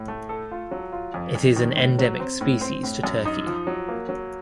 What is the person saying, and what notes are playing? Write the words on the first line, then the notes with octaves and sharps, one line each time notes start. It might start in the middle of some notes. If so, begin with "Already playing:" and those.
Its is an endemic species to Turkey.
Already playing: A2
A3
A4
F4
F#3
F4
F2
F2
D#3
A2
F#3
C4
A2
C4
A2
F#2
D#4
F3
F#3
A#3
F#3